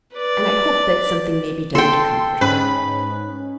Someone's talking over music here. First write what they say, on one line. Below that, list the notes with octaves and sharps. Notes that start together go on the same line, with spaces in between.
And I hope that something may be done to comfort her.
B4 D5
A4 G5 C6
G#2 C#4 D#4 B4